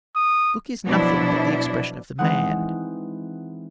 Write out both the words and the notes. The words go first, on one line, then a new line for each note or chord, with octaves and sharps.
The book is nothing but the expression of the man.
D#6
B2 F3 F#3 D4 E4
E3 G#3 C4 D#4 F#5 D#6